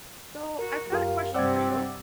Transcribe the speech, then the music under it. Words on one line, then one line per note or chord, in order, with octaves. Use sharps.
So, I've got a question for you.
F#4 A#4
F#2 F4 G4 A#4 F5
G2 C3 G3 C4 D5 F#5 E6 G#6